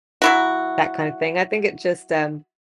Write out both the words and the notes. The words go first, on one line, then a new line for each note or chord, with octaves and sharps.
that kinda thing, I think it just, um,
F#3 E4 F#4